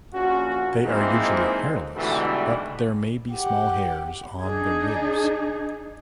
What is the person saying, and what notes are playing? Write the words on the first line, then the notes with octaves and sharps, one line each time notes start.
They are usually hairless but there may be small hairs on the ribs.
A#1 A#2 C#4 F#4
E3 F3 G#3 A#3 C4 D#4
G#2 B2 D3 E3 G3 A3
G4 F#5
D4 D#4 G#4